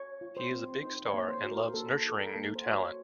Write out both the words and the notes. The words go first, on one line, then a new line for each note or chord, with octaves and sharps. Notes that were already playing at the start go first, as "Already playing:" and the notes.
He is a big star and loves nurturing new talent.
Already playing: C#5
F4
C5
C4
D#4 C5
C#5
A#3
C5
F#4
A#4
A#3 A4
D#4 A4
A#4
A#3
C5
F#4 C#5